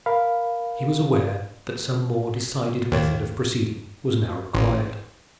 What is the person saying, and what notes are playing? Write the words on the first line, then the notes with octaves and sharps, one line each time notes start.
He was aware that some more decided method of proceeding was now required.
A#4 F5 B5
D#2
A1